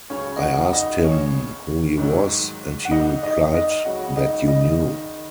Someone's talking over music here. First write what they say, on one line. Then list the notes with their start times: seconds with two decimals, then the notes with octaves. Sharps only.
I asked him who he was and he replied that you knew.
0.10 C#2 C#3 F#3 C#4 C#5
0.36 D#5
0.41 F#4 F#5
0.73 D#4 D#5
1.04 C#4 C#5
1.98 G#2 D#3 F#3
2.85 F#5
2.91 D#4 D#5
3.23 D#4 D#5
3.54 D#4 D#5
3.85 C#2 C#3 F#3 F#4 F#5
4.17 D#4 D#5
4.48 D#4 D#5
4.79 D#3 D#4